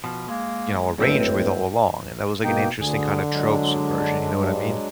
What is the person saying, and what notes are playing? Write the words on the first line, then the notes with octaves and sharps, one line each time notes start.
you know, arranged with all along, and that was, like, an interesting, kinda, trope subversion, you know what I mean?
B2 F3
G#3 A#3
D1 G2 G#3 C4 B4 C#5 E5
B2 A#3 D#4 G5
D2 D3 G#4
F#3 G#3 D4
G2